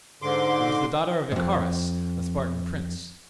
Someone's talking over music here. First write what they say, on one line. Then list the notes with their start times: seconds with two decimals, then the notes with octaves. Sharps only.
She was the daughter of Icarius, a Spartan prince.
0.22 G#2 D3 C6 D6
1.32 F2 G#2